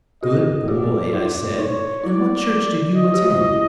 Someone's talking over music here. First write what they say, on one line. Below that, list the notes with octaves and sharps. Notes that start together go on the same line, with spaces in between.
"Good boy," I said, "and what church did you attend?"
F#4 G#4 D#5
F4 G4 D5
D#4 F4 D5
D#4 C#5
E4 D5
D#5
G4
F#4
F4
E4